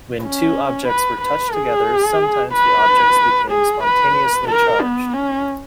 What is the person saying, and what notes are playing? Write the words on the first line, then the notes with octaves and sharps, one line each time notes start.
When two objects were touched together, sometimes the objects became spontaneously charged.
C#4
B4
B4
G#4
B4
G#4
B4
A#4
B3
C#4